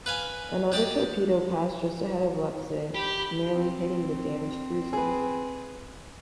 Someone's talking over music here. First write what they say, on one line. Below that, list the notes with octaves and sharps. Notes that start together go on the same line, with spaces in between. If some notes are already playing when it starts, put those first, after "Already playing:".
Another torpedo passed just ahead of "Leipzig", nearly hitting the damaged cruiser.
B4 F5 G#5
G#3 G4 D5 D#5
G4 B5 G6
C4
G#4 B4